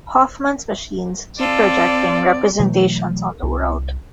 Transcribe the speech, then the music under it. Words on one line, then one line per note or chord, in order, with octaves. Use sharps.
Hoffman's machines keep "projecting representations on the world".
C4 F4 A4 D5
B2 E3 F#3 A3
C2